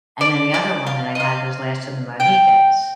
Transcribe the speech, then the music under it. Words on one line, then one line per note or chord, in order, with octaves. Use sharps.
And then the other one that I had was Last of the Mohicans.
D5
D5
F5
D#5
F5
G5